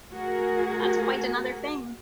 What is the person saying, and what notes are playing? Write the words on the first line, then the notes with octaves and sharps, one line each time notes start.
That's quite another thing!
A3 F#4 G#4 A#4